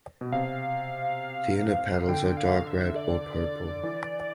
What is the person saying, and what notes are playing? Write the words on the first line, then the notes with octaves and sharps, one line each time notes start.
The inner petals are dark red or purple.
B2
C3 F5
D3 G5
F5
E5
D5
E3